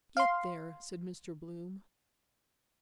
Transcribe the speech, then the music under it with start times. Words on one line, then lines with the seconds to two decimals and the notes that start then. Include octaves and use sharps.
"Get there," said Mr. Bloom.
0.17 F5 C6